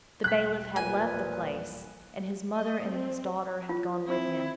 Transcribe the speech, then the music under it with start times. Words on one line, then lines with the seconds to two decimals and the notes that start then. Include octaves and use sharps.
The bailiff had left the place; and his mother and his daughter had gone with him.
0.24 E1 B1 G3 F#6 B6
0.76 A#2 F3 B4 G#5
2.53 D#5
2.88 C4
3.69 F4
4.07 C4 E4